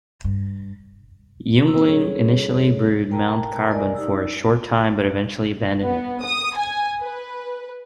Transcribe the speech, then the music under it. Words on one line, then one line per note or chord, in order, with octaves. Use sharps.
Yuengling initially brewed Mount Carbon for a short time but eventually abandoned it.
G2
A#3 C4 D#4 C5 E6
G3 C#4 G#4 A4 C#5
A#4 G5 A5 A#5
A#4 D5 D#5 G#5
D#4 G4 D5 E6
B3
D#6
G#5
B4